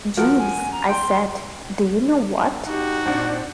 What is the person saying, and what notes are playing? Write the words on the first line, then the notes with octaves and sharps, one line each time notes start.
"Jeeves," I said, "do you know what?"
F3 F#4 A#4
G#5
A#5
G5 C6
D#4 F#4 G4
A#2 C4 D4 F#5